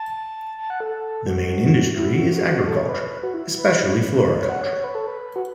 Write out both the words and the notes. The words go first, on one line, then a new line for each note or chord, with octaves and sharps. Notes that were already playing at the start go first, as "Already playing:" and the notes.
The main industry is agriculture, especially floriculture.
Already playing: A5
A5
F#5
A4
F#4
E4
F#4
F#4
F#4
A4
C#5
B4
F#4
E4
B4
C#5
F#5
C#5
C#5
B4
A4
B4
F#4